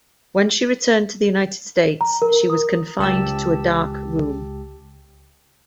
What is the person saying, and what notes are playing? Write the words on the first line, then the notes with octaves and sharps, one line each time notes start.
When she returned to the United States, she was confined to a dark room.
A#5
A#4
D#6
C#2 G4 A5 E6